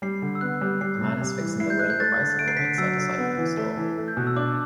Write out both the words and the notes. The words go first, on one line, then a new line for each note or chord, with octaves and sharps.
A man is fixing the wheel of a bicycle inside a cycling store.
G3 C7
D3
E6
B3 F#6
G3
G3 C7
C3
G3
E3
E4 C7
G6
A3 F#6
G6
A3 A6
D3
A3 D7
C7
D3 B6
C7
F#3 E6
D3
B3
E3
A3
E3
A3
G6
B2 F#6
E6
D4 D6